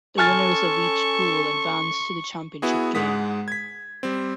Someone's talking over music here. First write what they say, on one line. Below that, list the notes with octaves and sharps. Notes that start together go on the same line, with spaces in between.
The winners of each pool advanced to the championship game.
C#4 A4 G#5 C#6 F6 A6
B3 E4 F#4 G#4
G#2 G#3 F#5 D#6 B6
G#6 B6
G3 C4